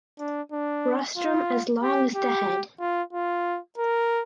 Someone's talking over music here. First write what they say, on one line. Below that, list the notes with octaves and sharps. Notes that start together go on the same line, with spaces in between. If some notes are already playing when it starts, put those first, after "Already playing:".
Rostrum as long as the head.
D4
D4
F4
G4
G4
F4
F4
A#4